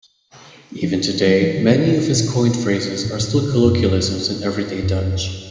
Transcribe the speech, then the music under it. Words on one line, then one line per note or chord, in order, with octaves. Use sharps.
Even today many of his coined phrases are still colloquialisms in everyday Dutch.
F3
F#3
F3
D3
C#3
C3
A#2
A2
A2
A#2
C3
F#2
F#2